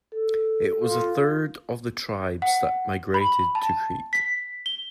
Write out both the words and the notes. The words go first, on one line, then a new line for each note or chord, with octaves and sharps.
It was the third of the tribes that migrated to Crete.
A4
F4
F#5
B5
A5
B6
G7